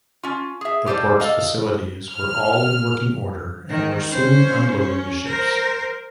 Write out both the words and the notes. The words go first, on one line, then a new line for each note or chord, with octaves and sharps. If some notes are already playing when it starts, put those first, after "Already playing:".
The port's facilities were all in working order and were soon unloading the ships.
C#4 F4
G#4 E5
F4 G4 A4 C5 D5
A4 D#5 F5
F6
D#3
C#4 C5
C#4
A#4 C5